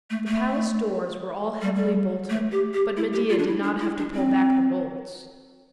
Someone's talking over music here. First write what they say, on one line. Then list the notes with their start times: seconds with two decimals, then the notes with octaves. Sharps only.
The palace doors were all heavily bolted, but Medea did not have to pull back the bolts.
0.10 A3
0.27 A3
1.62 G3
1.76 G3
2.30 A3
2.52 G4
2.73 G4
2.97 E4
3.13 G4
3.30 F4
3.39 D4
3.47 E4
3.63 D4
3.81 E4
3.98 D4
4.15 C4